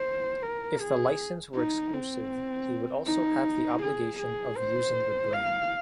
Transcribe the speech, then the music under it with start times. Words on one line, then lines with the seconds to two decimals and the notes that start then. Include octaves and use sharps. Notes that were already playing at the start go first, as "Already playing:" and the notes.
If the license were exclusive, he would also have the obligation of using the brand.
Already playing: C5
0.42 A#4
0.80 G#4
1.54 D#4
1.93 C4
3.06 D#4
3.82 G#4
4.19 G#4
4.57 C5
5.33 F5